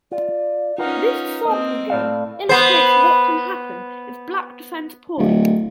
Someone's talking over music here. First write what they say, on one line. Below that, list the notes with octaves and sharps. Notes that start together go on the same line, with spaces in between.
This sample game illustrates what can happen if Black defends poorly.
F4 D5
C#4 D#4 F4 A#4 B4 F#5
A#3 C4 D#5
A2 A4 D5 F5
B3 C5
D1